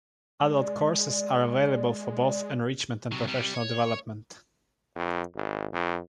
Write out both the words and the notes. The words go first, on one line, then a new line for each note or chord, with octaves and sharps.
Adult courses are available for both enrichment and professional development.
G#3 D5
C3 F#3
C3 G3
C#5
F2
G#1
F2